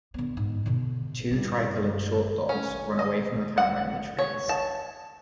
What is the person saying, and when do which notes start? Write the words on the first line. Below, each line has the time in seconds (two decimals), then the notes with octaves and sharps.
Two tricolored short dogs run away from the camera in the trees.
0.14 D3 B3
0.37 G#2
0.66 B2 D3
1.31 G2 E4
2.49 C#4
2.99 D#5
3.58 F#5
4.18 C#5
4.49 A5